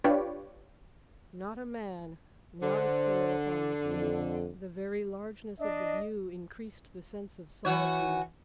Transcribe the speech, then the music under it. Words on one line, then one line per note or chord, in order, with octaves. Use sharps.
Not a man, not a sail, upon the sea; the very largeness of the view increased the sense of solitude.
D4 F4 G4 B4 C#5 D5
D3 C5
F2
D4 D#5
E3 F#4 C#5